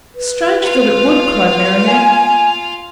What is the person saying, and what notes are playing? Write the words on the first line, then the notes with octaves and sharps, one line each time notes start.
"Strange that it would!" cried Marianne.
B4
F4 F5
G#5